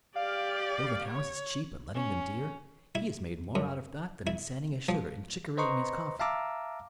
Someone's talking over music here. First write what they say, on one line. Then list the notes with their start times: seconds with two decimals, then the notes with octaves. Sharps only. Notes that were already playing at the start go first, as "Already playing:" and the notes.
Building houses cheap and letting them dear; he has made more out of that than in sanding his sugar and chicorying his coffee.
0.16 G4 D5 F5
1.07 C#5
1.94 C#4
2.95 E4
3.55 F#2
4.27 E4
4.89 F3
5.57 B4 C5 D#5 A#5 C6 C#6
6.20 E5 F5 A5 A#5 D6 E6